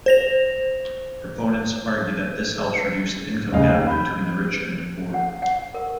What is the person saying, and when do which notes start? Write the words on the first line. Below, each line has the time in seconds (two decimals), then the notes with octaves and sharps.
Proponents argue that this helps reduce the income gap between the rich and poor.
0.06 C5 A#6 F7
3.52 F1 C#3 D#5 F5
3.69 D#2
3.87 B5 G6
5.14 F#5
5.42 F#5
5.74 A#4